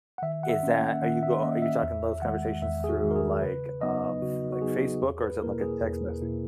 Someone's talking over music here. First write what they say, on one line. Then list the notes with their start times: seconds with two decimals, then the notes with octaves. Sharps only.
Is that are you go are you talking those conversations through, like, of, like, Facebook or is it like a text message?
0.18 F#5
0.22 D#3 E5
0.43 F#5
0.49 E5
0.63 A#3 C#4
0.75 F#5
1.02 D#3 F#5
1.23 E5
1.43 A#3 C#4 D#5
1.62 E5
1.82 E2 E5
2.22 D#3 G#3 F#5
2.62 E2 E5
2.84 G#4
2.89 F#4
3.02 D#3 G#3
3.11 A#4
3.16 G#4
3.42 C#3 B4
3.81 F#3 B3 D#4 D#5
4.22 C#3 F#4
4.52 F#4
4.62 F#3 B3 D#4 G#4
5.02 E2 G#4
5.22 B4
5.42 B2 A#3 E4 A#4
5.62 G#4
5.82 E2
6.21 B2 A#3 E4